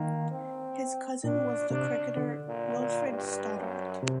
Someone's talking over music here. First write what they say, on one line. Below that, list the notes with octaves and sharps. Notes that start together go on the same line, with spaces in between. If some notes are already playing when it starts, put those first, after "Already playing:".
His cousin was the cricketer Wilfred Stoddart.
Already playing: D#3 A#3
C4
A#2 D4
C3 D4
D3
A#2
A#2
G2
F#2
C3